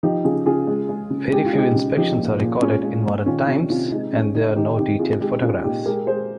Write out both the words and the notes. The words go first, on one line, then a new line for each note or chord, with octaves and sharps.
Very few inspections are recorded in modern times and there are no detailed photographs.
F3 D#4 G4
C#3 F4 G#4
C#3 F4 G#4
G#3
G#3
C#3
G#3 G4
F4
G#3 D#4 G4
C#3
F3 D#4 G4
A#2
A#2
G#3 C#4 F4
G#3
A#2
D#3 C#4 F4
C3 C#4 F4
C3 C#4 F4
C#4
G#3 D#4
G#3 C#4
C#3 D#4
D#3 D#4 G4
C3 D#4 G4
C3 F4 G#4
G#3 D#4 G4
G#3 C#4 F4
A#2 D#4 G4
G#3 G4 A#4
G#3 G#4 C5